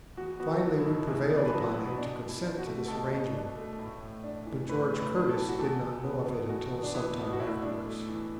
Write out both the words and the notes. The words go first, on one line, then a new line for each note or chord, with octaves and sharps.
Finally, we prevailed upon him to consent to this arrangement, but George Curtis did not know of it until some time afterwards.
E2 F#4
B3 F#4
A4
F#3
E4
B2
E2 E4
B3
D4
B4
F#3 A4
F#4
E4
B2
B2 D4
B2
E4
D4
F#4
A3
B2 A4
B2
D4
A3
A2
A2
D4
E3
A2 B4
A2
B4
D4
A4
E3
F#4
E2 A4
E2
B3
B2
E2 F#4
E2
D4
B3 E4
B2
F#4
A2 E4
D4
A3
E3